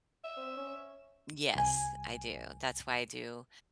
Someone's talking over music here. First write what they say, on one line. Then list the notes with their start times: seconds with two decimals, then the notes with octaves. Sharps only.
Yes. I do. That's why I do,
0.24 E5
0.37 C4
0.57 C#4
1.55 C2 G#5